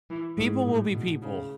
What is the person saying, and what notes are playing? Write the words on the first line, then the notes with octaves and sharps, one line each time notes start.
"People will be people
E3
G#2
A2
B2
C#3